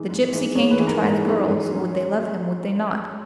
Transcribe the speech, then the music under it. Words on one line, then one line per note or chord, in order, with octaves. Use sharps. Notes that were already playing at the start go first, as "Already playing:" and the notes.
The gypsy came to try the girls: Would they love him, would they not?
Already playing: E3 G#3 D#4
G#2
E3 G#3 D#4
G#2 C#5
B4
E3 G#3 D#4
A#4
G#2 A#4
E3 G#3 D#4
G#2
F#3 C#4